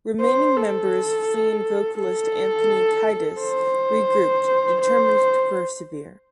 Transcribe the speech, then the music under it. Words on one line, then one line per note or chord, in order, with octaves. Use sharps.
Remaining members Flea and vocalist Anthony Kiedis regrouped, determined to persevere.
C5
A4
A4
C5
C5